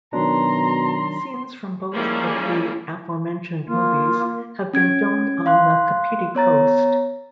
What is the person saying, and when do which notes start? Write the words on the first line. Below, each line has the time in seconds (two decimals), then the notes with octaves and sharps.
Scenes from both of the aforementioned movies have been filmed on the Kapiti Coast.
0.13 B2 D#3 F#3 D4 A#5 C6
1.93 F3 G3 G#3 A#3 C#4 E4
3.67 A#3 F4
4.73 C#4 G#6 D7
5.46 F5 C6 F#6
6.35 B3 C#5 A#5 A6